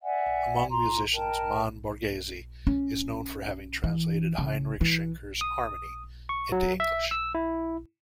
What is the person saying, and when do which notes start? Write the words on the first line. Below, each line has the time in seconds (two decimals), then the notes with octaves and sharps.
Among musicians, Mann Borgese is known for having translated Heinrich Schenker's "Harmony" into English.
0.02 D5 E5 F#5 G#5
0.71 F4 A#5 C6
1.12 A#4 D#5 G5 A5
2.67 C#4
3.84 E3
4.38 C#3
4.81 E3
5.41 D#6
6.29 C#6
6.52 F#3
6.80 E5
7.11 E6
7.35 E4